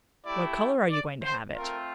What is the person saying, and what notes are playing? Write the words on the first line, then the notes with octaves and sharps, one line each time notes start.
"What color are you going to have it?"
A3 E4 G4 D5
D5
C5
A3 C4 F4 A#4